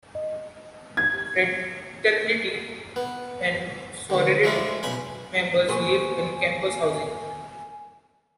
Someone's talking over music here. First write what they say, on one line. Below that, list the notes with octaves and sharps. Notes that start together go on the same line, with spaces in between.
Fraternity and sorority members live in campus housing.
D#5
G#6
B3
C#2 D3
F3 G#3 A3 D4 E4 F4
B1 C#3 G#5 B5 C6
D#2 B3 G#4 A#4 C5 G#5 C#6